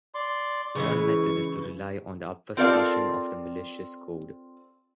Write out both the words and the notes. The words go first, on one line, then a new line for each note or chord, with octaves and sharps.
One method is to rely on the obfuscation of the malicious code.
D5 C6
C#3 E3 G#3 C#6
C4 F4 A4 A#4 D5 F5